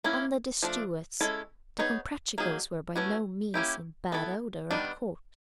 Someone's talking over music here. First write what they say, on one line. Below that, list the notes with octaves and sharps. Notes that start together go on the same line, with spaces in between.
Under the Stuarts, the Comprachicos were by no means in bad odour at court.
A#3 C#4 E4
F3 A3 D4
G#3 C#4 E4 A4
B3 D#4 G#4 C#5
F#3 A#3 D#4 G#4
E3 A3 C#4 F#4
A#3 C#4 E4 G4
B3 E4 A4
D#3 G3 B3 D4